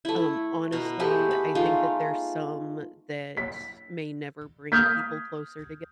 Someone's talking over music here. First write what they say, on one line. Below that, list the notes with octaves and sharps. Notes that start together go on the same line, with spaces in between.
um, honestly, I think that there's some that may never bring people closer toge
A3 E4
B2 A#4
G#3 A3 B3 G4
B5
G#3 A3 D#4 F4
B6
D#6 F6 G6 G#6 B6